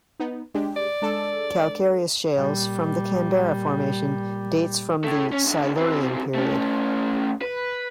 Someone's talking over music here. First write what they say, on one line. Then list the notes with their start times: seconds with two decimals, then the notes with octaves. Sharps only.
Calcareous shales from the Canberra Formation dates from the Silurian period.
0.20 B3 D#4
0.54 G#3 D4 G4
0.76 D5
1.02 G#3 D4 A4
2.36 A#2 G3
5.04 A2 A3
5.32 C#4
5.45 G#2 D3
5.75 B1 C4
6.35 A3 C#4
7.42 B4